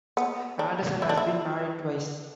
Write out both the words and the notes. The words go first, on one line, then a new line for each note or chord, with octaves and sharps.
Anderson has been married twice.
B3
D4
E4
D4
E4